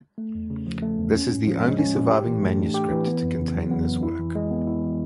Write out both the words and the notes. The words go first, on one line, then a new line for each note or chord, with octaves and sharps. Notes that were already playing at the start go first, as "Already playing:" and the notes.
This is the only surviving manuscript to contain this work.
A3
E2
C#3
F3
A3
E2
C#4
A2
F3
G#3
C#4
A2
G4
E3
A3
D4
G4
E3
B3
F2
C#3
F#3
B3
F2
E4
E3
G#3
B3
E4
E3